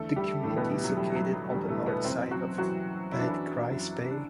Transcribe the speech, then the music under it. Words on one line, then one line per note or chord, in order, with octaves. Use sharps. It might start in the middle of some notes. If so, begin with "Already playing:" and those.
The community is located on the north side of Bete Grise Bay.
Already playing: E2 D3 A3 A4
G3 G4
E2 A2 D3 A3
B2 B3
G3
F#3
E2 D3 G3
F#3
F#3
E2 D3 G3
A2 A3
B2 B3
F#2 C3 E3 C4
F#3 F#4
F#2 E3 F#3 F#4
F#2 E3 E4
D4
E3 E4
F#2 E3
D4